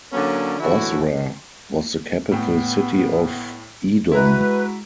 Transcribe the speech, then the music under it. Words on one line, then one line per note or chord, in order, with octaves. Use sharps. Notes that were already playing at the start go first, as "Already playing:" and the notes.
Bozrah was the capital city of Edom.
D3 F#3 A#3 C#4 D4 A4
A2 D3 E3 E4 F#4
A2 B3 G5
G#3 E4 F#4 B4 A#5